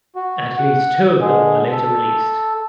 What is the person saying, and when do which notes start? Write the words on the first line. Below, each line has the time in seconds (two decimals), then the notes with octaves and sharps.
At least two of them were later released.
0.16 F#4
0.57 F#5
1.21 D3 G#3 G#4
1.72 A4